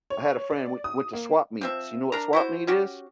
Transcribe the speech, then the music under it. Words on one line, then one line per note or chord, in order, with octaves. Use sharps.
I had a friend we went to swap meets. You know what swap meet is?
C#5
D5
D#6
A#3
F3 C4 E5
D4 A#4 A#5
E4 F#4 C5
C#4 F#4 G4